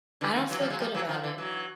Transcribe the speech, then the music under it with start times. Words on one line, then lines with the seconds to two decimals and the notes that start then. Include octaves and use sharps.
I don't feel good about it.
0.21 D3 E3
0.36 D#3 F3
0.50 E3 F#3
0.60 F3 G3
0.70 F#3 G#3
0.80 F3 G3
0.94 E3 F#3
1.09 D#3 F3
1.24 D3 E3
1.38 E3 F#3